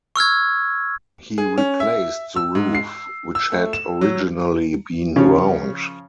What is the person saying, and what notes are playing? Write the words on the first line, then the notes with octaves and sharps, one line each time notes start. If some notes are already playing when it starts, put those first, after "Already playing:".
He replaced the roof which had originally been round.
C#6 E6 F6 G#6
G#4
C#4
E5
E6
G#2
C7
E6
A3
E7
F#3
C#3 F3 C#4 C#5